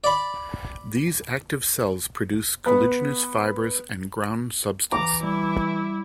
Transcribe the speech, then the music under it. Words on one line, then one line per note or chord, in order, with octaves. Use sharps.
These active cells produce collagenous fibers and ground substance.
D5 B5
B3
E3 A#5 D6
G3 E4